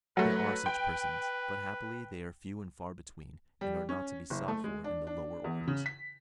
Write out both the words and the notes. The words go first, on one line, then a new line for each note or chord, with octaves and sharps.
There are such persons, but happily they are few and far between, and are not to be sought for in the lower orders.
F#3 A3 B4
G5
G3
C#4
F#1
A3
G#3
D4
D4
E2
C#3
B6